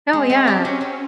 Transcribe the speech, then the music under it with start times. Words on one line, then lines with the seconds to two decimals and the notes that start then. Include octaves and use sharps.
Oh, yeah,
0.13 G#3 C4
0.30 G#3
0.47 C#4 G4
0.65 F#3
0.81 F#3